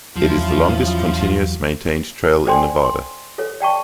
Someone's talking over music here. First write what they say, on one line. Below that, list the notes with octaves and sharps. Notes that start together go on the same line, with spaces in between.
It is the longest continuous maintained trail in Nevada.
E2 F3 F#3 C#4 E4 F4
A4 C5 D5 G5 G#5 C6
C6
A4 C#5
D5 G5 A5 C#6